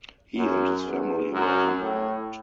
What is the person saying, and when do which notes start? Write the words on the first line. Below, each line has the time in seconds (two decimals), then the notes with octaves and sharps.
He and his family were unharmed.
0.36 F#2
0.85 E2
1.32 F#2
1.81 A2